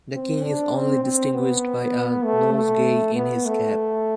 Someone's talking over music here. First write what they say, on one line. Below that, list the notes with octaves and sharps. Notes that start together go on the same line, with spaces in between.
The king is only distinguished by a nosegay in his cap.
C4
D4
C4
C4
B3
A3
A3
B3
A3